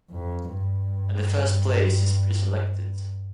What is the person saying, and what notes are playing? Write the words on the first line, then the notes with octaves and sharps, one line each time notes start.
And the first place is pre-selected.
F2
G2